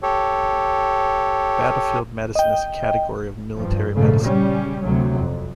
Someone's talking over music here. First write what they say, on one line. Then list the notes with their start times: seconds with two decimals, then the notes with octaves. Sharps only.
Battlefield medicine is a category of military medicine.
0.03 G4 A4 C#5
2.35 D#5 G5
3.55 G2 F3
3.93 A#1 G#2 C#3 A3
4.24 C#3 G3 C#4
4.84 D2 C3 F#3
5.21 F2